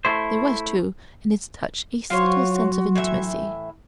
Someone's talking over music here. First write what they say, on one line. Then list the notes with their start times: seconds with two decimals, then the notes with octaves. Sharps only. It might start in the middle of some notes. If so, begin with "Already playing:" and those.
There was, too, in its touch a subtle sense of intimacy.
0.05 A3 E4 C5
2.10 F#3 F4 F#4 C5 C#5 C6
2.95 A2 E3 E5